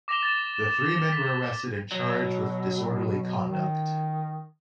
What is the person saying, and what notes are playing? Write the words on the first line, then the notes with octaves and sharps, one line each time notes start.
The three men were arrested and charged with disorderly conduct.
D6 A#6 E7 F7 G7
A6
B6
B2 F#3
D#3